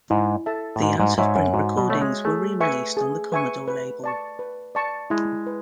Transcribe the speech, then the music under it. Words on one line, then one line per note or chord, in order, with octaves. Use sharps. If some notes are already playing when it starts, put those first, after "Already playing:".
The out-of-print recordings were re-released on the Commodore label.
G#2 E4
A4 E5 A5
A2
G#2 F#4
G#2
G#2 C#5 E5
F#2
G#2 F#4
B2
A3 C#5 E5
G#3
A3 G#4
B4 E5 G#5 C#6
G#4
B4 E5 G#5 C#6
B4
D5 A5 C#6
B4
D5 A5 C#6
G#3 E4
B4